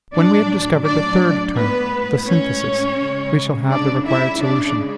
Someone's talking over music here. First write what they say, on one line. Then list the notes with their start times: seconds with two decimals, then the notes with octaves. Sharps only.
When we have discovered the third term, the SYNTHESIS, we shall have the required solution.
0.14 A2 F#3 D4 D5
0.85 D4 D5
1.56 A2 G#3 B3 B4
2.28 C#4 C#5
3.00 C#3 G#3
3.70 D4 D5
4.07 E4 E5
4.41 C#3 G#3 D4 D5